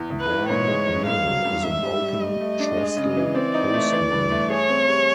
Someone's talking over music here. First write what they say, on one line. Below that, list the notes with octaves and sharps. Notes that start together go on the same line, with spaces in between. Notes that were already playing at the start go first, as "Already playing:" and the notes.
Bourne Mill is an open trestle post mill.
Already playing: E2
E2
B4
E3
G#2 C#5
G#3
G#3
G2 F5
F#3
G2
G#2 E5
G3
G3
A3 D#5
A3
D4
G#3
C#3
E3
C4 D5
D#4
A3
E3
G2
A3
G#4 C#5
C4
G3